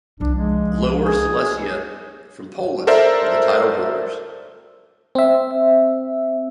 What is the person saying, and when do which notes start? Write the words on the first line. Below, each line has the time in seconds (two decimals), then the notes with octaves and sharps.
Lower Silesia from Poland were the title holders.
0.20 C2 F3 D4
0.35 G#3
1.02 G#4
2.87 A4 A#4 C5 D5 E5
5.15 C4 E5